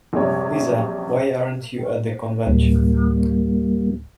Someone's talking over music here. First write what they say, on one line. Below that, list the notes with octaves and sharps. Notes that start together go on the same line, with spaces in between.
Lisa, why aren't you at the convention?
A#1 F#2 C3 G3 C#5
D1 G3 A#3